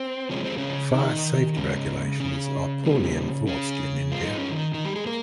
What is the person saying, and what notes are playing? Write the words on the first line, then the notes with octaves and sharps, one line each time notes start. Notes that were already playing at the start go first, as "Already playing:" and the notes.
Fire safety regulations are poorly enforced in India.
Already playing: C4
C3 F3 G#3 C#4
C4
C#3 C#4
D#3 D#4
G#2 C#3 G#3 C#4
C#3 C#4
A#2 G3
C#3 C#4
G2 F3 G#3 F4
D#4
C#4
D#3 D#4
D#3 D#4
G3 G4
G#3 G#4
A#3 A#4